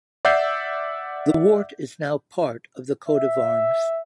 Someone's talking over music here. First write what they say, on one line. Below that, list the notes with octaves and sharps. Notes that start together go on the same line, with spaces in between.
The Warte is now part of the coat of arms.
D5 E5 F#5 E6 G6 C7
E5